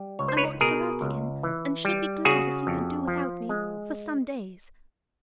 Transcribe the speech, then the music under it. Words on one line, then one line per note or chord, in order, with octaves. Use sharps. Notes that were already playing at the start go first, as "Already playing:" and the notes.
I want to go out again, and should be glad if you could do without me for some days.
Already playing: G3
C#2 C#5
C5
B4 C#5
B2 G#4 A#4
C#2
E3
G3
C#3 F#4 G#4
F2
F3
G#3